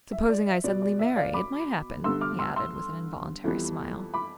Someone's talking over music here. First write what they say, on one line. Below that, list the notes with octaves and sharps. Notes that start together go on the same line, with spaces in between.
"Supposing I suddenly marry... it might happen," he added with an involuntary smile.
E5
D5
E5
B2 B3 D5
D5
E5
D5 F5
B5 D6
G2 D3 G3 B3 C6 E6
D6 F6
C6 E6
C6 E6
F2 E3 G3 B3
B5 D6